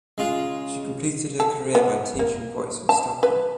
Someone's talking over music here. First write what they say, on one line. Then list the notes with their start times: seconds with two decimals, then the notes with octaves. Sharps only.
She completed her career by teaching voice in Stockholm.
0.18 C#3 G#3 F4
1.40 A4
1.75 B3
2.19 A#3
2.89 A5
3.23 B4